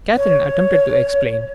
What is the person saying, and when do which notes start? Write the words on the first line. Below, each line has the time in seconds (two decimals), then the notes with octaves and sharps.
Catherine attempted to explain.
0.17 C#5